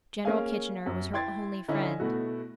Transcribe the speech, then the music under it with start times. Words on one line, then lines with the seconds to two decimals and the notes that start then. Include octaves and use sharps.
General Kitchener was her only friend.
0.25 A#3 C#4 G#4 F5 G#5
0.86 F#2
1.13 E4 G5 C6 G#6 A6
1.68 D3 C#4 D#4 E4
2.00 B2 A3 E4 F#4